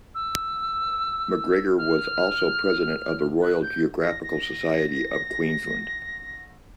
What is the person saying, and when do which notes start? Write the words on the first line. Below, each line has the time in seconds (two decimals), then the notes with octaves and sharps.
MacGregor was also president of the Royal Geographical Society of Queensland.
0.15 E6
1.78 F6
3.42 F#6
3.62 G6
4.02 A#6
4.23 A#6